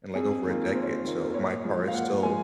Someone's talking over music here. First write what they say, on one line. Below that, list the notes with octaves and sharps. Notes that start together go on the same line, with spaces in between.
in, like, over a decade, so my car is still
F2 G#4
D#3 A#3 F4
F2 C5
C#5
C5
D#3 A#3 F4
A#2 C#5
F3 G#3
F5
A#2 F#5
F3 G#3 G#5